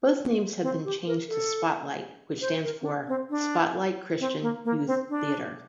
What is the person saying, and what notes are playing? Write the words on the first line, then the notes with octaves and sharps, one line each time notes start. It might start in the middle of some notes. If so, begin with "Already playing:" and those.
Both names have been changed to Spotlight which stands for Spotlight Christian Youth Theatre.
C4
G4
A#4
A4
C5
A#4
C4
D4
C4
D4
C4
A#3
A#3
C4
D4